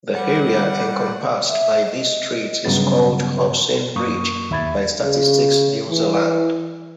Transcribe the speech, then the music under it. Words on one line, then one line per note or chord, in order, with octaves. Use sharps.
The area encompassed by these streets is called Hobson Ridge by Statistics New Zealand.
G3 F#5
E5
D#5
G2 C#3 F#3 B3 A6
F#2 A#3 C#6 D#6
D#2 E5 B5 G#6 A6
C#3
E3